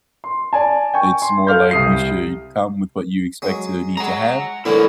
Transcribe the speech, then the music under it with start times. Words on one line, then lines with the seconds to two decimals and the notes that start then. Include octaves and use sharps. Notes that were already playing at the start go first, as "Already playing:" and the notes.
It's more like you should come with what you expect to need to have,
0.24 C6
0.53 D5 G#5 A5
0.94 G5 G#5 C#6
1.22 C6
1.47 A4 F5 F6 G6
1.71 C2 D#6 C7
3.42 F#3 G#3
3.97 G#3 F#5 A#5
4.65 A2 D3 E3 E4 A#4